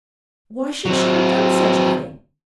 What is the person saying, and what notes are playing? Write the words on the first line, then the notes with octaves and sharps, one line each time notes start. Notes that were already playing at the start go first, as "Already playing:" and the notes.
Why should she have done such a thing?
F#3 C4